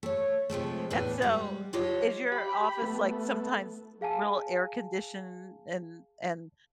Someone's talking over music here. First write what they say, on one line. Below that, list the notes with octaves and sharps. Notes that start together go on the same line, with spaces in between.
and so, is your office, like, sometimes e real air conditioned and and
A3 C#5
C3 F3 G#3 A3
E2 A2 D4 B4 G#5
G3 G#3 F#5
F#3 F4 G4 C#5 D#5 A5
G4 B5
A3 B3
G#4 F5 G#5 A5